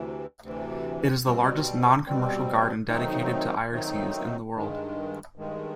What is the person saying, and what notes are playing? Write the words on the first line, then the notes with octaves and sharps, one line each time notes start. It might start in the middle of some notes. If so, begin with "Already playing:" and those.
It is the largest non-commercial garden dedicated to irises in the world.
Already playing: D2 C3 E3
D2 C3 E3
B2 G3 C4
B2 G3 C4
D#3 F#3 A3 C4 D#4
D#3 F#3 A3 C4 D#4
G2 D#3 G#3
G2 D#3 G#3